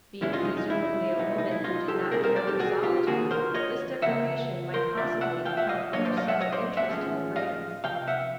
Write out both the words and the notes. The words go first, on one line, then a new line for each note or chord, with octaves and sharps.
Being presumably a woman who did not care for solitude, this deprivation might possibly account for her sudden interest in Grace.
F2 C3 E3 G#3 C#4 E4
D#4 F4
D#4
D#4
E4
C2 B2 G3 B3 D#4
D#4
E4
D#4 F4
G4 A4
B1 B2 G3 C4 D#4 G#4 A#4
A#4 C5
C5 D5
G4 A4
F#4 G#4
F4 G4
D2 D3 F3 A#3 F#4 G#4
A#4 C5
C#5 D#5
E2 C#3 F3 A#3 E5 F#5
A#4 C5
D2 C3 F3 D5 E5
E5 F#5
F5 G5
E5 F#5
D#5 F5
A2 F#3 A#3 D4 C#5 D#5
C5 D5
D#5 F5
E5 F#5
C#5 D#5
C5 D5
E5 F#5
A2 F3 G#3 C#4
D#5 F5
C3 F3 F5 G5
E5 F#5